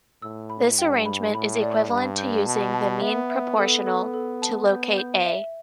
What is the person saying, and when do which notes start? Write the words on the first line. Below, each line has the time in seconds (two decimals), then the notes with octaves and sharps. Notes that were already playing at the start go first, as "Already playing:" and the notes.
This arrangement is equivalent to using the mean proportional to locate "a".
0.22 A2 E6
0.50 B5
0.78 G2 G5
1.06 B5
1.34 A2 B5
1.62 D5
1.90 G2 B5
2.18 G6
2.46 B2 A5
2.74 A5
3.02 B3 E5
3.30 E5
3.58 B3 A4
3.86 A4
4.14 A4
4.42 A5
4.69 B3 G6
4.98 G6
5.26 E5